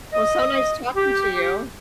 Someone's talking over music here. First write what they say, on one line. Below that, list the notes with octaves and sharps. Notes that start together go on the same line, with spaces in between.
Well, so nice talking to you.
D#5
G4